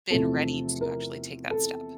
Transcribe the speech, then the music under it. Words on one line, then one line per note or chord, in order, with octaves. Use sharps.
been ready to actually take that step.
E2 C3 F3 A3 C4 A4
A#4
A4